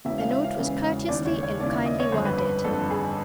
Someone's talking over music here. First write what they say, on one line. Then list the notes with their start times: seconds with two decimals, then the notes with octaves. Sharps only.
The note was courteously and kindly worded.
0.05 E1 E2 C#3 E3 E5
0.18 F5
0.30 E5
0.44 F5
0.57 E1 E2 C#3 E3
1.08 D#2 C#3 E3 D5
1.26 C#5
1.43 C#5
1.60 D#2 C#3 E3 D5
1.73 E5
1.86 D#5
2.00 C#5
2.12 G1 F2 D3 C5
2.25 B4
2.38 B4
2.64 G1 F2 D3 A4
2.90 G#4